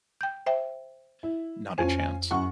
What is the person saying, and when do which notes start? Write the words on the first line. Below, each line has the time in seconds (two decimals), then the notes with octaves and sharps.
Not a chance!
0.21 G5 G6
0.46 C5 E5 G5
1.23 E4
1.78 F2 C#4 F4 C5 G#5
2.31 F#2 F#5 C#6